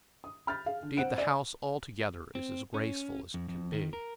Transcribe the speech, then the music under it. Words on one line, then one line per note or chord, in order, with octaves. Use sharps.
"Indeed, the house altogether is as graceful as it can be."
D#6
B5 F6 G6 A6
G#4 F5
D3
C4 F#5 F#6 D7 E7
D5 G#5
C4
C#4
F2
F2
D#3
A#4